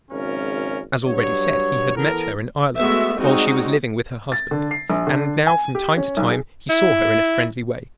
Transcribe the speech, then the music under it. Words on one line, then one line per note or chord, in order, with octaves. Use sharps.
As already said, he had met her in Ireland while she was living with her husband; and now from time to time he saw her in a friendly way.
G#1 F#2 C#3 C#4 A#4
G2 F#3 C#5
E3 B3 A4 A#4
G#3 A3 B3 F#4 E5
G3 G#3 C4 D#4 F#4
A6
D3
C7
A#1
D3
G#5
G4
C#4
B1
G#4
E4